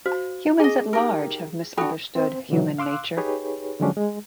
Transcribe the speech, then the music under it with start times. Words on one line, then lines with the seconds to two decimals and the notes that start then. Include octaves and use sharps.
Humans at large have misunderstood human nature.
0.06 F#4 C5 F5
0.60 G#4 D#5 G#5
0.93 D#4 G4 A#4
1.77 D4 F#4 A4 G5 B5
2.15 C4 C5
2.49 B2 D3 E3 F#3
2.79 F5 C6 D6 E6 F#6
3.17 D#4 G4 G#4 B4 C#5
3.80 D3 F3 F#3 G#3 C#4 D4
3.97 G#3